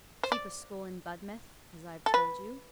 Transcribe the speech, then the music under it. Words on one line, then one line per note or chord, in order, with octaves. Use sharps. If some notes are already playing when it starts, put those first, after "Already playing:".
"Keep a school in Budmouth, as I have told you."
C5
D5
A4
B4